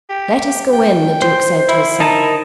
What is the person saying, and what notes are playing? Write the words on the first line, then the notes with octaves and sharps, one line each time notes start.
"Let us go in," the duke said to his son.
G4
G5
C5
E4
D#4 A#4 A5